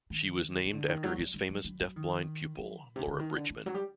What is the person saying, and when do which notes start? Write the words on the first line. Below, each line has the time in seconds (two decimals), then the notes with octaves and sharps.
She was named after his famous deaf-blind pupil Laura Bridgman.
0.10 D#3
0.65 D#3
0.72 D3
0.88 D#3
1.03 F#3
1.19 G3
1.34 G3
1.49 F#3
1.64 F#3
1.80 F#3
1.96 D#3
2.58 F#3
2.83 A#2
2.96 C3
3.07 D3
3.19 D#3
3.35 D3
3.50 D#3
3.66 F#3
3.74 G3